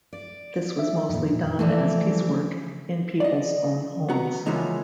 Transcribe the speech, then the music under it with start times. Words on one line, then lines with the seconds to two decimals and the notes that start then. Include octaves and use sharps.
This was mostly done as piecework in people's own homes.
0.13 D5
0.79 E5
1.09 F2 A#2
1.59 E3 F3 A3 C4 A4 D5
3.20 D5 D#5
4.09 B3 F#4 A#5
4.46 C#3 E3 F3 G#3 A#3 D#4